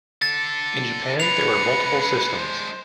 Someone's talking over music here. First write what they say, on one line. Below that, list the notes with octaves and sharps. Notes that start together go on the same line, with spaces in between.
In Japan there were multiple systems.
D3 A4 A6
G#3 D4 B4 C#7 F7
C5